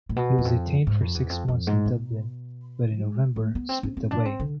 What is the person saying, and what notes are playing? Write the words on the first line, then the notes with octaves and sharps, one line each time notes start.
He was detained for six months in Dublin, but in November slipped away.
A2
B2
E2
F2
G#2
F2
E2
F2
F2
G#2
B2
G#3
A3
B3
C4
C4
C4
D4
C4
D3